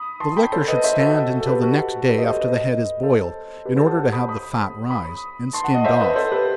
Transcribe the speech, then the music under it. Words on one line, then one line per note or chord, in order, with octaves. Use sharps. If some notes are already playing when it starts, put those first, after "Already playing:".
The liquor should stand until the next day after the head is boiled, in order to have the fat rise, and skimmed off.
Already playing: B5 D#6
A5 C6
G5 B5
A4 C5
B4 D#5
C5 E5
F#4 A4
A4
G4 B4
F#4 A4
G4 B4
D#5
A4 C5
B4 D#5
A4 C5
G4 B4
A4 C5
F#5 A5
F#5 A5
B5 D#6
B5 D#6
B5 D#6
A5 C6
F#5 A5
D#5 F#5
C5 E5
B4 D#5
A4 C5
G4 B4